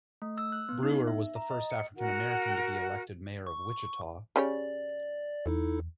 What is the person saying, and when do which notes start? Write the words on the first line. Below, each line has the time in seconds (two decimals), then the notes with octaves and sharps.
Brewer was the first African American to be elected mayor of Wichita.
0.22 A3
0.38 E6
0.52 F#6
0.69 B3
0.83 D#4
1.07 E5
1.36 A#5
1.51 D#5
1.71 C#7
1.96 F#4 A#4 F#5
3.47 C#6
4.36 C#3 G4 C#5 D5
5.46 E2 D#4 E4 A4